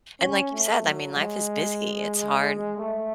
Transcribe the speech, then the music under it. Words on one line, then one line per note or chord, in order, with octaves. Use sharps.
and like you said, I mean, life is busy, it's hard
C#4
A3
F#3
G#3
A3